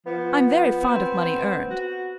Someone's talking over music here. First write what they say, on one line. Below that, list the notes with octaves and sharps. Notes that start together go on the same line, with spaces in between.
I'm very fond of money earned.
F3 B3
C4
F#4